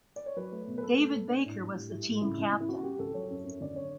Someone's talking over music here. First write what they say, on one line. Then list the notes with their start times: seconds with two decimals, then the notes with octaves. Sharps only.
David Baker was the team captain.
0.16 D5
0.26 C#5
0.36 F#3 B4
0.52 A3
0.67 B2
0.78 B4
0.83 B2 A4
0.98 A3
1.14 B2
1.29 D4
1.45 A2
1.60 A2
1.76 G3
1.90 A2
2.07 A2
2.21 C#2 E4
2.38 C#3
2.53 C#3
2.60 E4
2.69 C#3 F#4
2.83 G3 G4
2.99 C#2 A4
3.14 F#3 C#5
3.30 F#2
3.45 F#2
3.61 D3 D5
3.76 C#5